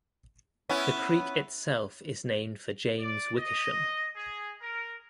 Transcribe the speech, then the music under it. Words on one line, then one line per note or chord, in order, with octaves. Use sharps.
The creek itself is named for James Wickersham.
B3 C#4 E4
D5
D#5
G#4
A#4